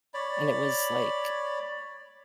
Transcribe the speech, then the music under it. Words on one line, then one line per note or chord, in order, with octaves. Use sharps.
and it was like,
C#5 D5 B5